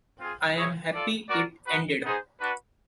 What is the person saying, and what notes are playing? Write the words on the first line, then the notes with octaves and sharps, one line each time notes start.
I am happy it ended.
C4 F4 G#4
E4 G#4 C#5
F4 A4 D5
F#4 A#4 D5
D#4 F#4 B4
B3 D#4 G#4 C5
D4 F#4 B4